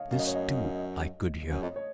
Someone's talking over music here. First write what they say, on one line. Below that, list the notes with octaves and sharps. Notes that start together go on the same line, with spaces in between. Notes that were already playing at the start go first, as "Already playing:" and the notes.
This, too, I could hear.
Already playing: C#5 D#5 F5
F#2 F5
D#5
C#5
D#5
F#2 C#5
F2 D#5
C#5